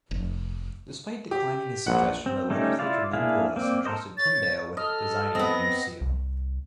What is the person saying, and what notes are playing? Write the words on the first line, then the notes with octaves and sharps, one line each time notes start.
Despite declining his suggestion, the legislature nonetheless entrusted Tyndale with designing the new seal.
F1
G4
A#1 F#5
C4
G3 A3 C#4 D#4 G4
E4 F4 D5 F5
A#3 D4 E4 G#4 F5
A#3 C4 D5
A4 A#4 C5 D#5
C#5 A6
A4 D#5 F6
B3 C4 D#5 A#6
C2